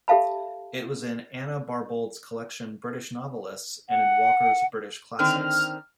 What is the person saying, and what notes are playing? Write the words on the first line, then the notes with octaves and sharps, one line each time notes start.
It was in Anna Barbauld's collection "British Novelists", and in Walker's "British Classics".
G4 A4 E5 F5 A5 B5
F#5
D3 D#3 C4 F6